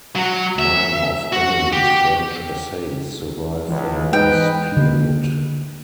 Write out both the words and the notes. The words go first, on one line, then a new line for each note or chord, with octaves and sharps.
Nine of Emily's French essays survive from this period.
F#3
E5
F#4
G4
C#2 E3
G#2 B4 D#5 G5
D3 A#3